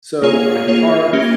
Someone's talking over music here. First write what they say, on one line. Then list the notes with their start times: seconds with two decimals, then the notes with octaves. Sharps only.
So I park
0.22 A#3 F4 G#4 C#5
0.67 A#3 F4 G#4 C#5
1.13 A#3 C#4 G4